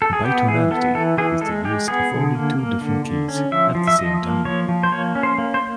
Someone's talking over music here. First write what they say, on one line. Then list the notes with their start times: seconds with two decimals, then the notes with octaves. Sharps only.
Bitonality is the use of only two different keys at the same time.
0.02 A4
0.13 G#4
0.25 B3 G4
0.48 E3 G#4
0.71 B3 A4
0.95 E3 A4
1.18 E3 G#4
1.41 G#3 A4
1.65 G#3 G4
1.88 B3 G#4
2.11 D3
2.35 A#3
2.59 A#3
2.81 D3
3.05 D3
3.28 C#4
3.52 F3 E5
3.75 F3
3.88 E5
3.99 F3 D#5
4.22 A#3
4.45 F3 C#5
4.69 F3
4.83 C5
4.92 A#3 C#5
5.15 C#4
5.23 C5
5.38 A#3
5.54 C5